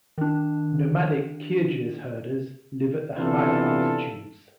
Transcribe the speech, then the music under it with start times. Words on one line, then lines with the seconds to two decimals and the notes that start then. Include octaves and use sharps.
Nomadic Kyrgyz herders live at the higher altitudes.
0.18 D#3 D4
3.18 C3 E3 B3 D4 F4 A4